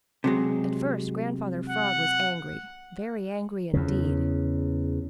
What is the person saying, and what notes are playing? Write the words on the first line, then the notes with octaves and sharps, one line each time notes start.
At first Grandfather Frog was angry, very angry indeed.
C3 F#3 G#3
F#5
E2 C#3